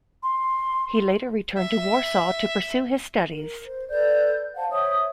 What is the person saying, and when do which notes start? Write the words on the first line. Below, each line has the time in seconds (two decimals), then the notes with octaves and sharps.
He later returned to Warsaw to pursue his studies.
0.23 C6
1.58 E5
3.32 A#4
3.65 C5
3.91 A4 B4 D5 G6
4.55 C5 F5 F#5 A5
4.69 C5 C#5 E5 D#6